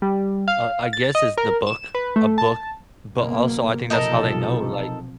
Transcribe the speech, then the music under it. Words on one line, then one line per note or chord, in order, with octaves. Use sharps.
Uh, I guess it's the book a book, but also I think that's how they know, like
G3
F5
A6
D#5
A#4
E7
B4
A3
A5
F#1 B2 A#3
B1 C3 F3 D#4 A4 A#4